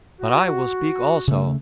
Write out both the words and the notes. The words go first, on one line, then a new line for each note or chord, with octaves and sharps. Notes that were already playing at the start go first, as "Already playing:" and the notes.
"But I will speak also!"
F#4
C#3 A3